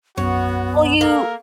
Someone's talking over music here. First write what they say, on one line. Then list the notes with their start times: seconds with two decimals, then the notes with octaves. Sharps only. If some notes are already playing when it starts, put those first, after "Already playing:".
Well, you
0.18 B1 F#2 B3 F#4 C#5
1.01 A#3 A4 A#4